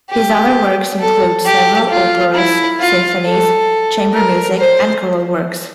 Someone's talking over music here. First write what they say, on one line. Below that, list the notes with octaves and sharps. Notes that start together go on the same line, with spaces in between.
His other works include several operas, symphonies, chamber music, and choral works.
G4
A4
G4
F4
E4
F4
A4
A#4
C5